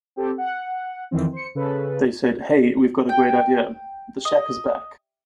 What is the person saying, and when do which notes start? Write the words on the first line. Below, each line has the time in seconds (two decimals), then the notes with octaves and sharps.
They said, Hey, we've got a great idea: 'The Shack is Back!
0.16 C4 G4 A4
0.38 F#5
1.11 F2 D#3 E3 C4
1.32 C5 C#7
1.55 C#3 A4 B4
3.09 G5
4.25 D#5